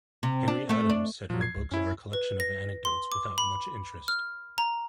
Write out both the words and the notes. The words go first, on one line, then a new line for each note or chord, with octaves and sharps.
Henry Adams said her books are a collection of anecdotes without much interest.
C3
D4
A3 A4
D4
A#2 F3 F#3
G#6 C7
C#2
F#2 C#4 E4
B4
A#6
C6
D6
B5
F6
A#5